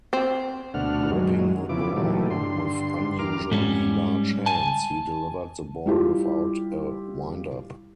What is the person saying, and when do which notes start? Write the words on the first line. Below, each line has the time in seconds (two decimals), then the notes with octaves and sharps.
Gripping the ball with unusually large hands, he delivered the ball without a windup.
0.13 C4
0.74 D2 B2 A3 D4 F#5 F6
1.11 F#2 D#3 F#3 G#3
1.69 C#3 F3 B3 E4 D6
1.96 A#2 D#3 E3 F#3 G3 A3
2.30 G2 D3 C6
3.19 E2 G2 A#4 D6 F6
3.51 G#2 G3 C#4
4.46 G#5 A5
5.86 G3 E4 F4 G4